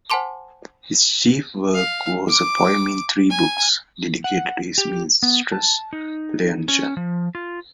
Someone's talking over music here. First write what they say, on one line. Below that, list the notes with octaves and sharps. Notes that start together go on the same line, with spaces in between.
His chief work was a poem in three books, dedicated to his mistress Leontion.
C5 F#5 G#5 A5 C6 D6
F5
D6
G#5
F#5
G4
B3
A5
D#4
C#4
F3
F4